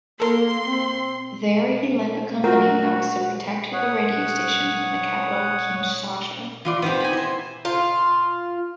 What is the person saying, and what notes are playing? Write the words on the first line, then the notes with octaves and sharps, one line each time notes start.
There he led a company that was to protect the radio station in the capital Kinshasa.
A#3 A4 A#4 C6
C4
A3 F4 F#4 A#4 F#5
C#5 F#5 D#6
E3 F4 D5
A#2 B3 C4 D#4 G4
G#5 A#5 B5
E4 C5
F4